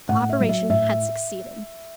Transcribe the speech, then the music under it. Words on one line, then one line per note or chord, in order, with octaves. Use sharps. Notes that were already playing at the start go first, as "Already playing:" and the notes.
The operation had succeeded.
A2 F#5
E5
F#3
E5
A2 E5